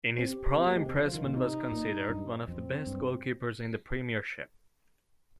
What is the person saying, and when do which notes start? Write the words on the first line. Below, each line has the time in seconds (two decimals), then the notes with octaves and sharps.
In his prime, Pressman was considered one of the best goalkeepers in the Premiership.
0.18 C4 G4
0.57 C4
0.67 A#3
0.76 G#3
0.86 C3
0.95 D3 F4
1.05 F3
1.14 D#3
1.24 A#2
1.33 C3 D#4
1.72 A#2
2.09 G2
2.47 F2 C4
2.86 G2